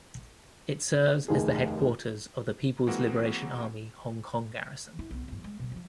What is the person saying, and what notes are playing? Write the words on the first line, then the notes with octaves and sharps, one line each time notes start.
It serves as the headquarters of the People's Liberation Army Hong Kong Garrison.
F1 D#2 G#4
E3 G#3 A#3 C4 F#4
E4
B1 B3
E2 G2
G#3
B2 G3
F3 G3